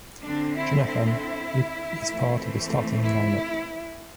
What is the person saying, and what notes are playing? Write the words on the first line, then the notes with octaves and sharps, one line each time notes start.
Jonathan is part of the starting lineup.
D3 C4 D4
E4
E4
E3 A3 C4
E4